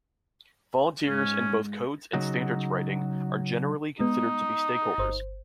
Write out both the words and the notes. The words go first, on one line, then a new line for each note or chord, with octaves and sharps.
Volunteers in both codes and standards writing are generally considered to be stakeholders.
G#2 C#4
C#3 F#3 D#4 F#4
G#3 B3 D#4
G1 C5